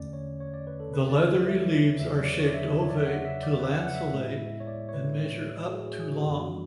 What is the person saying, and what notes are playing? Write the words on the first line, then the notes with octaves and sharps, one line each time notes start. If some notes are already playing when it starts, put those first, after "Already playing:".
The leathery leaves are shaped ovate to lanceolate and measure up to long.
Already playing: E2 D3 A3 C#4 D5
C#5
C#5
D5
B4
A4
B4
D5
C#5
E5
E2 C#3 F#3 E5
D5
C#5
D5
B4
C#5
D5
E5
C#5
D5
E5
F#5
E5
D5
B4
F#5
F#5
E5
A2 G#3 B3 E4
C#5
D5
C#5
B4
F#4
G#4
G#4
F#4
F#2 E3 B3 D4
F#4